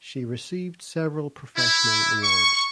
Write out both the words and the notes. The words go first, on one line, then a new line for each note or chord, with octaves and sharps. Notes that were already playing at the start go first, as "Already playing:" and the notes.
She received several professional awards.
E4
C#6